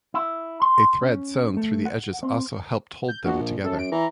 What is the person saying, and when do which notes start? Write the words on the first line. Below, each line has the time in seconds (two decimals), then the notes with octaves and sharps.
A thread sewn through the edges also helped hold them together.
0.14 E4
0.62 C6
1.02 C#4
1.57 A3
1.86 F#5
2.23 C4
3.08 G6
3.25 A#1 F#4
3.41 A#2
3.64 F#2 A4
3.79 D7
3.92 E3 A#5